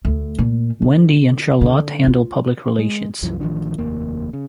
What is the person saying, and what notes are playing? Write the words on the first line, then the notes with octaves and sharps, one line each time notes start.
Wendy and Charlotte handle public relations.
D2
A#2
D3
D3
F4
G#3
C2 F#2 E3 F3
A1 D#3 F3 D4
F1 D#2 A#3
C#3